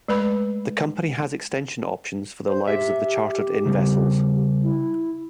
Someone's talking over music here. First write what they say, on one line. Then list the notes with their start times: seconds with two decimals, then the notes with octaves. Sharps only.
The Company has extension options for the lives of the chartered-in vessels.
0.09 G#3 A3 B4 B5
2.47 C5
2.68 G4 E5
3.66 C#3 G3
4.63 E4